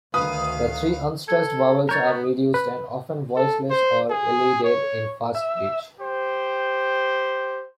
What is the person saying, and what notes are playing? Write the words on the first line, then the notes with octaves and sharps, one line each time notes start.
The three unstressed vowels are reduced and often voiceless or elided in fast speech.
D2 D#3 B4 F5 D#6
A4 G#6
A#4 C#5 G6 A6
B3
B4
A4
C5
G#4
C#5
E5
G4 C5